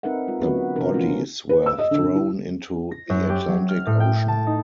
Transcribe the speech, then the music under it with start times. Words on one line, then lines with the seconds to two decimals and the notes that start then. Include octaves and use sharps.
Their bodies were thrown into the Atlantic Ocean.
0.03 C4 D#4 A#4 B4 E5 F#5
0.28 G#3 F4
0.42 D3 F#3 B3 C#4 F#4 B4
0.76 C3 E3 C4 D4 A#4
0.94 F3 G#3 A3 C#4 F4
1.49 B4
1.66 E6
1.78 D#5
1.91 D3
2.04 D3
2.16 E4
2.91 A#6
3.10 F#2
3.29 G4
3.48 F#3
3.69 F6
3.87 A2
4.00 G5
4.28 A5
4.47 D#4